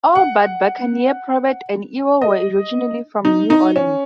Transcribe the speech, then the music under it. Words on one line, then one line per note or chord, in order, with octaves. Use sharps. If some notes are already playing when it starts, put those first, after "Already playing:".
All but Buckner, Probert, and Ewell were originally from New Orleans.
F#5
D#5
D#4
D#4
C#4